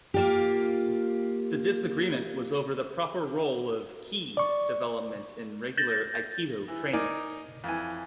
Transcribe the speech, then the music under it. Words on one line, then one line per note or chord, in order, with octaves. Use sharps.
The disagreement was over the proper role of "ki" development in regular aikido training.
A#3 F4 G4
D5 C#6
G6 A6 A#6
E3
D#4 A#4 D5 G#5
F2 E3 G#5